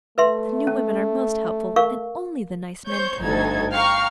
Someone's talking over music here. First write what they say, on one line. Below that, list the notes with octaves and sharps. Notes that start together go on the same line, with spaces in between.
The new women are most helpful, and only the nice men came.
A3 B4 E5 C6
C#4
A#4 F5 C#6
C5 C#5 C#6 G6
G1 D2 D#4 A4 G#6
F5 G5 A#5 C#6 F6